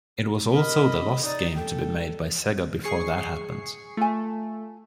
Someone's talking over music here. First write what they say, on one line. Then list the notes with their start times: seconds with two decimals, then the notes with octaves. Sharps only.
It was also the last game to be made by Sega before that happened.
0.51 A#4 D#5 B5
1.23 D#4 D5 D#6
1.55 A4 G5
2.84 G#4 C#6 C7
3.97 A3 F4 G#5